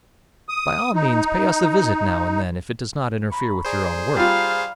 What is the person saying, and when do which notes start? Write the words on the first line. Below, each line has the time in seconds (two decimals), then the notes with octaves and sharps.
By all means pay us a visit now and then, if it does not interfere with your own work.
0.49 D#6
0.95 D#4
3.30 A#5 B5 C#6
3.65 G#4 C5 D5 A#5 D#6
4.16 G3 F4 F5 A#5 B5